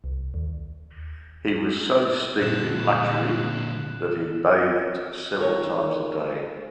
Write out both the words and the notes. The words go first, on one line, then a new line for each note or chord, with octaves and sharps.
He was so steeped in luxury that he bathed several times a day.
C2
D#2
A#2 D3 F#6 E7
D#3 A#4 C#5